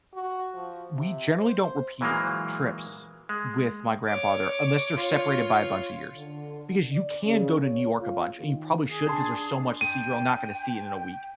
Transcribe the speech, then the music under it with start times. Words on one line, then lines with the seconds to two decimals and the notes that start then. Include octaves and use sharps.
we generally don't repeat trips with my grandfather unless they're separated by a bunch of years because you can go to New York a bunch and you probably should 'cause there's so much to see, you're all not gonna see it in a week
0.14 F#4
0.54 F3
0.96 C3
1.40 C5
2.01 A#2 E3 F#3 G#3 A#3
3.29 G#3
4.08 C#5 D6
4.97 F4 C#5
6.16 D3
6.91 D5
7.25 C#3
7.62 C#5
7.99 F4
8.38 D#3
8.87 G#4
9.06 D4 A5 C6
9.81 G5 D#7